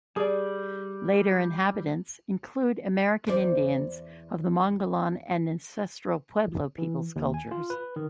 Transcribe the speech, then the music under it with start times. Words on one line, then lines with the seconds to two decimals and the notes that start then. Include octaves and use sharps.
Later inhabitants include American Indians of the Mogollon and Ancestral Pueblo peoples cultures.
0.16 G3 G#4 D5
3.27 E2 C5 D5
6.78 E3
7.16 D#2
7.34 G#5
7.51 F4
7.70 B4
7.96 D#3